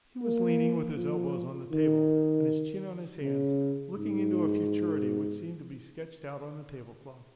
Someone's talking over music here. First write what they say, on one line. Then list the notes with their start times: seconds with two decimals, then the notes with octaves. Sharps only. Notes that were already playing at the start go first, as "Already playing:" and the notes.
He was leaning with his elbows on the table and his chin on his hands, looking into a futurity which seemed to be sketched out on the tablecloth.
0.22 A#3
0.97 F3
1.72 D#3
3.22 C#3
3.97 G#2